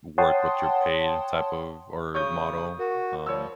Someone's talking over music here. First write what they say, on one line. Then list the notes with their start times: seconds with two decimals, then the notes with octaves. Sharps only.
work what your paid type of or model. Um,
0.18 C#5 F#5 G5 A5 C6 D#6
2.15 C#3 C#5 C#6 D#6 G6
2.79 F#4 A#4
3.27 F3 G3 C#5 E6